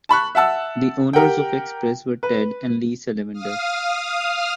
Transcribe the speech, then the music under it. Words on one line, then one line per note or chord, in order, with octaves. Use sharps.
The owners of the Express were Ted and Lisa Lavender.
A5 B5 C#6 F#6
E5 F#5 A5 E6
G4 A#4 F#5 G5
B4
F5 D#6 F6